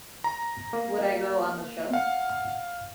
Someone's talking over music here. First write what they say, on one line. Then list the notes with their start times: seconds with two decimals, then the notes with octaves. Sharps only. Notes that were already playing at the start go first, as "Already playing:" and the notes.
Would I go on the show?
0.24 A#5
0.73 A#3
1.93 F5 F#5